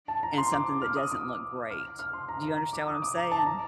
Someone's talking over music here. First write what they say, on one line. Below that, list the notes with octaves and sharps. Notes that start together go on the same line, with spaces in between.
in something that doesn't look great. Do you understand what I'm saying?
A5
A#5
C6
D6
F6
D#6
D6
F6
F6
C6
A#5
A#5
A#5
D6
D#6
D6
A#5
A5
A#5